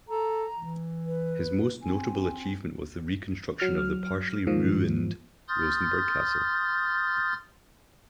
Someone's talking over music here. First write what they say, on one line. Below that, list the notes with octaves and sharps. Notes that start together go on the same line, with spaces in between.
His most notable achievement was the reconstruction of the partially ruined Rosenburg Castle.
A4 A#5
E3
B4
C4 G#5
F#3 F6
G#2 D#3 F3
C6 D#6 F6 G6 A6